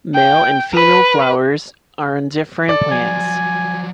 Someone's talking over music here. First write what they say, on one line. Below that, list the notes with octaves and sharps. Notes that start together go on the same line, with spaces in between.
Male and female flowers are on different plants.
G5
B4
A4 D5
F3 F#3 G#5